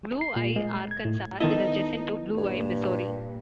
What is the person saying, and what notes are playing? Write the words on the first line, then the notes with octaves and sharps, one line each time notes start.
Blue Eye, Arkansas, is adjacent to Blue Eye, Missouri.
C7
A#2
G#3
G#6
A2
D#3 B3 D#4 E4 A4 D#5
G2 A#2